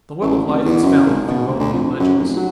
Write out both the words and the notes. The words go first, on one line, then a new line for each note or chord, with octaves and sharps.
The Well of Life is found in Fingalian legends.
A1
F1
E2
F#2
G#1
B2
D2
D2
F2
F#2
F1
F#3